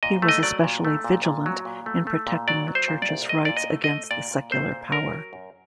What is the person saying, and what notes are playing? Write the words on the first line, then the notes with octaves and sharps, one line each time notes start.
He was especially vigilant in protecting the Church's rights against the secular power.
A#2 D#5
A3
D#5
F#3 D5
A#2
A3
A#2
A#2
F#3
A#2
A3
A3
A#2
F#3 D5
F#3
C5
A#2
D5
C2
A3 D#5
A#2 D5
D#5
A3
D#5
A3
A#2 D5
A#2
A3 C5
A#2
F#2 A#4
F#3
F#2